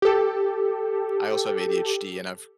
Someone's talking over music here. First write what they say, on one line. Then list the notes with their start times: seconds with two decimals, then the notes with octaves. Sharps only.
I also have ADHD, and I've,
0.02 G4 A4